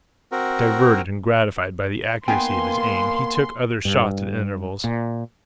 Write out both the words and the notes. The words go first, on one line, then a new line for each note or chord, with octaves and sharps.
Diverted and gratified by the accuracy of his aim, he took other shots at intervals.
C4 F#4 A#4
A#3 B3 D#4 B4 G5 G#5 C6
G2
A#2